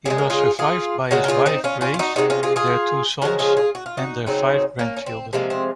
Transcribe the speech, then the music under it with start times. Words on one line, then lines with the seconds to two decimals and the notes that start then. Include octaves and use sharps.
He was survived by his wife Grace, their two sons, and their five grandchildren.
0.05 C#3 F3 G#4
0.10 G#3
0.18 A#4
0.30 F4 G#4
0.59 F4 G#4
1.11 C#3 G#3 F#4 A#4
1.24 A#4
1.28 F4 G#4
1.46 C4 D#4
1.64 C#4 F4
1.81 C#4 F4
1.94 F4
1.99 D#4 F#4
2.16 C3 F3 G#3 D#4 F#4
2.30 C#4 F4
2.43 F4 G#4
2.56 F4 G#4
3.22 C#3 F3 G#3 F#4 A#4
3.39 F4 G#4
3.57 F4 G#4
3.75 F#4
3.86 F4
3.97 D#4 F#4
4.26 C#3 F#3 C4 D#4
4.79 A#3 C#4
4.97 C#4
5.06 C4
5.33 C3 F3 G#3 A#3
5.50 C4